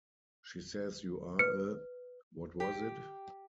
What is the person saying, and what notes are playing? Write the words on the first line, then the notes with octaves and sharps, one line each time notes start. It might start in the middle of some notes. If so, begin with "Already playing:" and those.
She says you are a — What was it?
B4 F6 C#7
G4